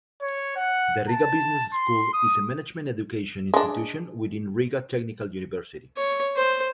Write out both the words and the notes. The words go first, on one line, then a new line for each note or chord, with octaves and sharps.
The Riga Business School is a management-education institution within Riga Technical University.
C#5
F#5
A5
C6
D#6
G#3 D4
C#5
C5